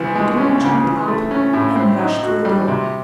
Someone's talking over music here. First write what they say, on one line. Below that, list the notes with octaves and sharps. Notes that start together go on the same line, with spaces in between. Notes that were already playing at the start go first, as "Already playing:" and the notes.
Dounia jumped up and rushed to the door.
Already playing: C2 E3
G#3
C#4
C#3
E3
A3
C#4
A2
C4
D#4
F#4
G3
C3